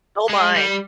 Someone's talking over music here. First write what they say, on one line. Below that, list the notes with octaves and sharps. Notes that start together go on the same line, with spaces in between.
Oh my.
G#3
G3